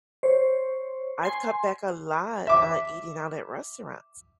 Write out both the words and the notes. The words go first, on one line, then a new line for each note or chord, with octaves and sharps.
I've cut back a lot on eating out at restaurants.
C5 C#5
G#5 C6
E5 D6